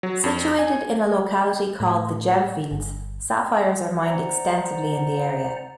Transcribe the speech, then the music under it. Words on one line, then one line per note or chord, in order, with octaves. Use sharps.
Situated in a locality called The Gemfields, sapphires are mined extensively in the area.
F#3
F2
G#5
A2
G1
C5 D5 F#5 A#5